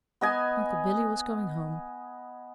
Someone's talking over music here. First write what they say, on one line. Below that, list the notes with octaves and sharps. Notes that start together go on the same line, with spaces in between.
Uncle Billy was going home.
B3 D#5 G#5